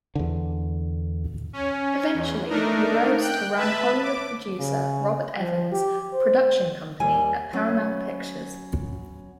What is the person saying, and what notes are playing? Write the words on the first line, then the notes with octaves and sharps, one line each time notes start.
Eventually he rose to run Hollywood producer Robert Evans' production company at Paramount Pictures.
E2 D3
C#4
E2
A3 D4 D#4 A#4
G5 F#6 G6
B4 E5 A5 B5
D6
C#3
F3
G4
C5
D#2 G3 G#5
F#3 B3 C#4